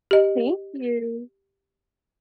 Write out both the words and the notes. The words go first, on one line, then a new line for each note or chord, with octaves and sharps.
Thank you.
G4 D#5